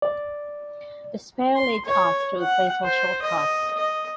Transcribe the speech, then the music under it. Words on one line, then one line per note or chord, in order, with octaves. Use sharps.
Despair leads us through fatal shortcuts.
D5
C6
C#5
F#5
C5
D#5
D#5